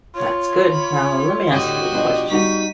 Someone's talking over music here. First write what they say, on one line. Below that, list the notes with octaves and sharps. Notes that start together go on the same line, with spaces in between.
That's good, now let me ask you a question.
F4 C#5
B5
A2 D3 F#4 G4 D#5
B2 F3 D4
G3 D#4 F#4 C#6 B6 D#7